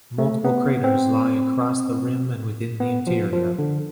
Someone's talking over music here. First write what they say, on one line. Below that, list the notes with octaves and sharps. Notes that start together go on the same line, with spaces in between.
Multiple craters lie across the rim and within the interior.
A3
B3
C4
B3
F3
F3
D3